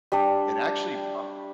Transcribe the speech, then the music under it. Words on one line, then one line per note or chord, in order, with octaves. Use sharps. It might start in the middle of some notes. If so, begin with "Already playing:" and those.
And, actually, um
G3 D4